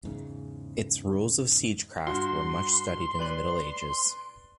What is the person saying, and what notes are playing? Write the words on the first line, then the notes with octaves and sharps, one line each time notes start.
Its rules of siegecraft were much studied in the Middle Ages.
E2 G#2 C#3
G2 F#4 C6
B4 D5 F#7